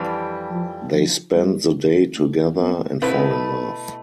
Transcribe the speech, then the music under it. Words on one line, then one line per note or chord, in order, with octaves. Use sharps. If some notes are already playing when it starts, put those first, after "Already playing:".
They spend the day together and fall in love.
Already playing: F2 E3 G3 D4 G4
F3
F3
G3
A3
B3
B2 A3 C4 E4 B4